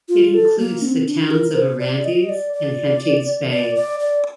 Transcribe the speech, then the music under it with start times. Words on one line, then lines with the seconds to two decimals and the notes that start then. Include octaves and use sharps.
It includes the towns of Arandis and Henties Bay.
0.09 F4
0.34 A4
0.59 A#3
0.82 D4
0.86 C4
1.07 D4
1.31 A#4
1.55 C5
1.80 D5
2.05 D#5
2.29 D5
2.53 D5
3.50 D5
3.75 D5
4.00 D5